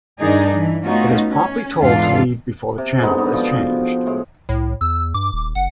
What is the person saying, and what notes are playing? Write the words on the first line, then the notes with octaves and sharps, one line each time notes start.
It is promptly told to leave before the channel is changed.
G2 D#3 D4 D#4 G#4
E3
A3 B3 C#4 D#4 F4 F#4
C#4
E2 G#2 D4 F4 A4 F5
C3
D3 G#3 B3 D#4
G2
B2 F3 G#3
A2 G#3
C2 A2
E2 E6
G2 D6
D#1
F#1 F#5